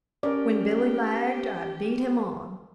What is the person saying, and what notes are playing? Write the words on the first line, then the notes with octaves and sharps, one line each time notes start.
When Billy lagged I beat him on.
C#4 G4 A#4 D5